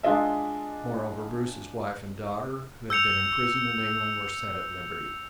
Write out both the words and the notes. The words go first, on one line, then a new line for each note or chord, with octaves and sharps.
Moreover, Bruce's wife and daughter, who had been imprisoned in England, were set at liberty.
G#3 D4 F4 D#5 E5
E6 G6 C#7 F7